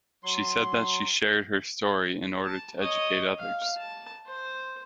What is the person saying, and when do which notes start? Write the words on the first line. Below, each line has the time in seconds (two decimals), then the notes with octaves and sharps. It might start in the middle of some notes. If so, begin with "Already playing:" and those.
She said that she shared her story in order to educate others.
0.23 F#3 C6
2.44 A5
2.79 C#5 D#5
3.38 F5
3.78 A5
4.27 C5